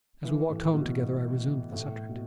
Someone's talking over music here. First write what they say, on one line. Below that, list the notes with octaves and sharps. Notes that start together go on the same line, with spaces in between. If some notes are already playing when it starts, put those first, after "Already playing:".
As we walked home together I resumed the subject.
E3
A2
B2
B2
A2
B2